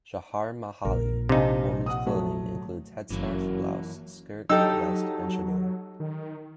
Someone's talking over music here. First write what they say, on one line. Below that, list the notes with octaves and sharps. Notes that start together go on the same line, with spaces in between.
Chaharmahali women's clothing includes head scarf, blouse, skirt, vest and Chador.
A#1 A#4
C3 D4 D#4 F5 G#5
F#5 D#6
F#3 A3
G1 F#2 E3 F#3 A#3
F#3 D#4 G4 A4 E6
D#3